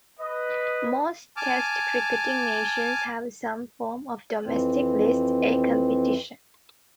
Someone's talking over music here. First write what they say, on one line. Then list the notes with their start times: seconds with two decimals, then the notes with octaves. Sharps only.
Most Test cricketing nations have some form of domestic List A competition.
0.19 B4 D#5
1.37 G#5 A5 D6 F6
4.45 F2 E3 C4